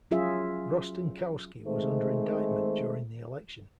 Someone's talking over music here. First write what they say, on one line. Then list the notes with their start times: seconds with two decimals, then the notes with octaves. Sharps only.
Rostenkowski was under indictment during the election.
0.11 F#3 C#4 F4 G#4 E5
1.67 D#3 G#3 A3 C4 C5